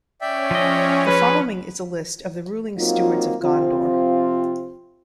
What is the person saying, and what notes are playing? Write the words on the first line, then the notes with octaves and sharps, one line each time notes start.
The following is a list of the Ruling Stewards of Gondor.
C#4 D5 E5 G5
F3 D#5
G#4 B4
F#3 A#3 C4 D#4 F4
C3 F3 C4 F4